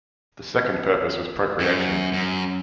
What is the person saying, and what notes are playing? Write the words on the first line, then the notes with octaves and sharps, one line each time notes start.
The second purpose was procreation.
F#2
F#2